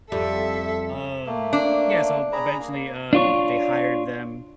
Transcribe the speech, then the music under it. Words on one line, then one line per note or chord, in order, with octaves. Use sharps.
um, yeah, so, eventually, um, they hired them
F2 G3 A4 E5
A3 A#3
D4
G#4 A#5 B5
A#3
D4 F4 C#5